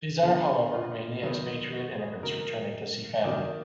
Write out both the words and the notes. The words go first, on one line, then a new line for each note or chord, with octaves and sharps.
These are however mainly expatriate immigrants returning to see family.
D3 F3 B3 F4
F4
D#3 F#3 B3
F#4
G#4
D#3 F#3 A#3 A#4
D#3 F#3 A#3 D5